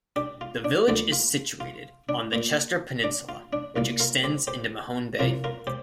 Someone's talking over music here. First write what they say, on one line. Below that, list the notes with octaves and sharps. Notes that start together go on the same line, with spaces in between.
The village is situated on the Chester Peninsula, which extends into Mahone Bay.
D4 G4
F4
D4
D2 D3 F3 A#3 D4
F4
F4
D4
A#2 A#3
D4
F4
D4
C2 A#2 A#3 F4
F4 A#4
G4 C5
G4 C5
C2 C3 F3 C4 F4 A#4
F4 A#4
G4 C5